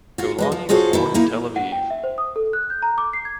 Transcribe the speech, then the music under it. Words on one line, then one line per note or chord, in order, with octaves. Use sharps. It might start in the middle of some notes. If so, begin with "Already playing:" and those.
Golani was born in Tel Aviv.
F4 F#4
G2 G#3 D#5
F3
F4 F#4 G#4 A4 C5 C#5
D#3 A3 E4
A#3 D#4 E4
F#5
G5
E5
C5
D#6
A4
F#6
G6
A#5
D6
C7
G#6